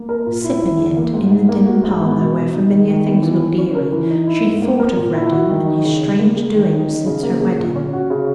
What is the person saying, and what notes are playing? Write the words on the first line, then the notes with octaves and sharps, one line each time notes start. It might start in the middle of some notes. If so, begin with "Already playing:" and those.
Sipping it in the dim parlour, where familiar things looked eerie, she thought of Reddin and his strange doings since her wedding.
Already playing: A#3
A#4
A#2
E4
E4
E2
A#3
G#2
G#2
A#3
F#4
G#2
B3
B2
B2
D#4
D#3
D#3
B3
E3
E3
C#4
A#4
E3
D#4
E4
G#2
A#3
A#4
A#2
E4
F#4
D#3
D#4
C#3
C#3
A#3
G#4
D#3
D#4
C#4
C#3
A#3
G#4
A#2
C#4
F#4
C#3